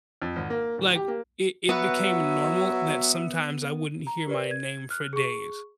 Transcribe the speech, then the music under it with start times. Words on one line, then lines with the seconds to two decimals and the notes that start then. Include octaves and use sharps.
Like it it became normal that sometimes I wouldn't hear my name for days.
0.22 F2
0.36 G#1
0.50 A#3
0.78 D1
0.96 G4
1.08 A#3
1.69 F#3 B3 F#4 B4 E5 F#5
4.07 A#5
4.26 G4 A#4 B4 D5
4.51 G#6
4.90 F6 F#6
5.13 G#4 C#6